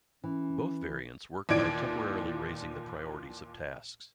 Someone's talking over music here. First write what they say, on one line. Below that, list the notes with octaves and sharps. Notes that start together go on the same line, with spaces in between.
Both variants work by temporarily raising the priorities of tasks.
E3 C#4
D#2 A#2 E3 D5 G#6 D7